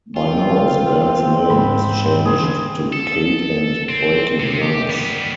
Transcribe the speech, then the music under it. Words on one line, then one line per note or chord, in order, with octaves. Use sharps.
By now the band's name has changed to "Kate and Breaking Glass".
C4 F4
G#2 B5
D3 E3 G#4
A4
C4
C3
G4
G3 B3